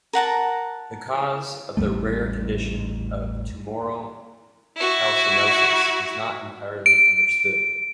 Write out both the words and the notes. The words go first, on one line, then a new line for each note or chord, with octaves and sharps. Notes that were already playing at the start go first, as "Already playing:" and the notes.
The cause of the rare condition of tumoral calcinosis is not entirely understood.
A#4 F#5 A5 A#5
A1 E2 G3 A3
E4 F#4
D7